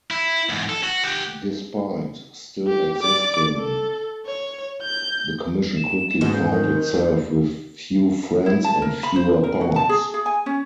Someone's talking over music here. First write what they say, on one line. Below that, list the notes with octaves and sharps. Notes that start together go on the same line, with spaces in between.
Despite still existing, the Commission quickly found itself with few friends and fewer powers.
E4
E2 G#2
A4
F#4
G4 F#5
G4
D5 D6
A4
C#5
G6
E7
G#2 B2
C#3 G6
D#3
F2
E4
A5
A#4
B5
C5
A#4
F#4
A5
G#4
G#4
G#5
C#4